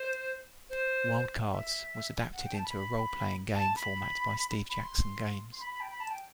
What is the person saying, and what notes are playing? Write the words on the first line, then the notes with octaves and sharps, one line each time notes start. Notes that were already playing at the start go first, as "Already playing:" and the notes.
"Wild Cards" was adapted into a role-playing game format by Steve Jackson Games.
Already playing: C5
C5
E5
F#5
G5
A5
B5
B5
A5
B5
B5
C6
C6
B5
B5
G5
B5
A5
G5